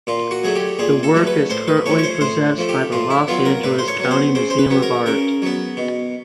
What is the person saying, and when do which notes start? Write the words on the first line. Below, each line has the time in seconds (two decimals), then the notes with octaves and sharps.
The work is currently possessed by the Los Angeles County Museum of Art.
0.07 A#2 F4
0.31 F#4
0.44 F#3 A3 G#4
0.55 G4
0.79 A#2 G#4
1.03 A4
1.15 F#3 A3
1.27 B4
1.50 A2 C5
1.68 B4
1.86 F3 A3 C#5
1.98 C#5
2.04 C5
2.21 A2 C5
2.58 F3 A3
2.69 G4
2.92 A2 F4
3.10 E4
3.28 F#3 B3 F4
3.45 A#4
3.63 A2 B4
3.79 C5
3.88 C#5
4.00 F#3 B3
4.11 C5
4.35 C#3 C5
4.50 C5
4.59 B4
4.70 F#3 B3
4.83 A#4
5.06 C#3 A#4
5.42 F#3 B3
5.77 B2